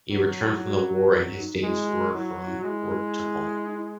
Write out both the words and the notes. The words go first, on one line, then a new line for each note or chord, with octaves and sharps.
He returned from the war and his days were from work to home.
F#3 F#4
F#4
D#4
E4
F#4
D#4
D#4
G#3 E4
F#4
F#3 E4
F#4
E4
F#4
G#3 E4
D#4
E4